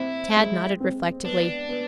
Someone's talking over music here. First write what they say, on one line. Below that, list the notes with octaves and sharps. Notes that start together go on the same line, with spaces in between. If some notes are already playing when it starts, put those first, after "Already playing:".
Tad nodded reflectively.
Already playing: C4 E4
G#3
C4
B3 D4
B3